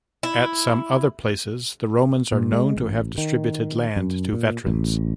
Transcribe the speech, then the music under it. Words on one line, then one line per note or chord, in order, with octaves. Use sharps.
At some other places the Romans are known to have distributed land to veterans.
E4
A#2
G#3
A1
D#3
F#2
A#2
A1